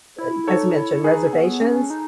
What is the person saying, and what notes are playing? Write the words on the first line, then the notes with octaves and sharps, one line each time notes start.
uh, as you mentioned, reservations.
E4
D#4 A4 C#5
E4
D#4 G#4 B4
B3
C#4
D#4